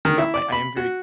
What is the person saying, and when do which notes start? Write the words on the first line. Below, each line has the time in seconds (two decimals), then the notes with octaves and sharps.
No, I I am very
0.05 D#3
0.18 E4
0.34 D5
0.52 B5
0.77 F#4